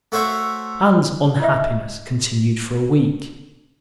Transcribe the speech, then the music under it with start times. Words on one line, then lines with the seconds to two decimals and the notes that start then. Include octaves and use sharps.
Anne's unhappiness continued for a week.
0.12 A3 F#4 C5 C#5 E5
1.40 E4 D#5 E5